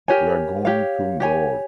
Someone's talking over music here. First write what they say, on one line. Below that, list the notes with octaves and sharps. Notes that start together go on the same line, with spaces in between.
We are going to Lloar.
G4 A#4 C#5 G#5
G4 C#5 F5
G4 C#5 G#5